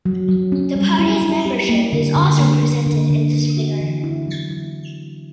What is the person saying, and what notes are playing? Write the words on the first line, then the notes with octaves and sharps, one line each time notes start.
The party's membership is also presented in this figure.
F#3
F#3
C#4
G3
E4
E4
G4
A#3
D3
D3
A#3
A#3
D3
D3
A#3
F#4
E3
E4
F#3
E4